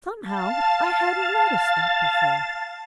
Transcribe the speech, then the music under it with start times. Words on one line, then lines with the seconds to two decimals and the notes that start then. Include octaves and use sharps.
Somehow I hadn't noticed that before.
0.22 F5 A5 A6